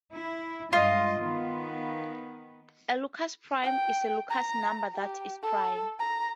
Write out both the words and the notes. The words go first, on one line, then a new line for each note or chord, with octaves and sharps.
A Lucas prime is a Lucas number that is prime.
E4
G2 G#3 F4 D#5
D#3 B3
G5
A#5
G4
A4
A#5